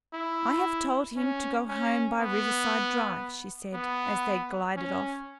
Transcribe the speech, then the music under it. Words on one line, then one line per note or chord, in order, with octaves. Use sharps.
"I have told him to go home by Riverside Drive," she said, as they glided off.
E4
C#4
C#4
B3
B3
C#4